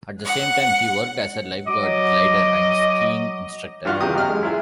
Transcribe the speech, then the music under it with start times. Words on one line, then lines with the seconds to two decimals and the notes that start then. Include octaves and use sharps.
At the same time, he worked as a lifeguard, glider and skiing instructor.
0.24 F#5
1.68 F#3 D#5 D6
3.85 G2 F4 F#4
4.01 E2 C#3 G4 A#5 D#6
4.15 F#3 D#5 F6
4.29 G#3
4.43 E4 F4 G#4